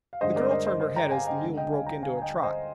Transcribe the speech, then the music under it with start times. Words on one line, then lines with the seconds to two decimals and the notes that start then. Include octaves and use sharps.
The girl turned her head as the mule broke into a trot.
0.13 F5
0.21 G2 D3 G#3 C5 D#5
0.36 A#4 D5
0.51 C5 D#5
0.66 C5 D#5
0.81 C5 D#5
0.96 G5 A#5
1.11 F5 G#5
1.27 D#5 G5
1.42 D2 D3 G#3
1.57 D#5 G5
1.71 F5 G#5
1.86 G5 A#5
2.03 F5 G#5
2.17 G#5
2.22 D#5 G5
2.43 C5 D#5